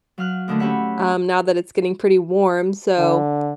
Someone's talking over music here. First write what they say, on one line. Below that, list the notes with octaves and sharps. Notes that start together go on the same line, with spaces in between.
um, now that it's getting pretty warm, so,
F#3 F5 F6 F#6
D#2 D3 D#3 A3
C#4 G4 C#5 E5 F#5 B5
D3